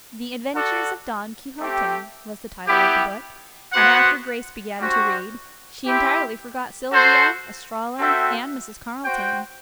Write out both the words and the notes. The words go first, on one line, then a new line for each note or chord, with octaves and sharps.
"The Adventures of Don Quixote," was the title of the book, and after Grace began to read she entirely forgot Sylvia, Estralla, and Mrs. Carleton.
F#4 A4 D5 F#5
A3 C4 G4
B3 E4 G4
B3 F#4 C5 F#5
G3 D4 F#4 C5
C4 E4 G4
F#4 A4 C5
C4 F#4 A4 E5 G5
F#4 C5 G5